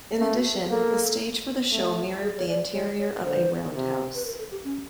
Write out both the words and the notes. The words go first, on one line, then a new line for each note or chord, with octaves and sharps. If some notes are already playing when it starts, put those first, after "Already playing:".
In addition, the stage for the show mirrored the interior of a roundhouse.
A3 C#4
F#4
G#4
G#4
A#3 A4
A3
G#4
C#5
D5
G#3 C#5
C#5
D3 C5
C3
B4
A#4
A4
G4
C#4